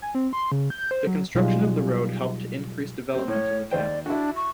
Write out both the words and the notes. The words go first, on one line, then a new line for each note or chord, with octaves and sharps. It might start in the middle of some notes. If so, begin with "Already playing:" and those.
The construction of the road helped to increase development in the town.
G#5
C4
C6
C#3
G6
C5
F#3
B2 F#3 G3 D#4 F4 G#4
C4 G4
A2 C#5
D#2 C5 D5 G5
D4 E4 F#4
C#6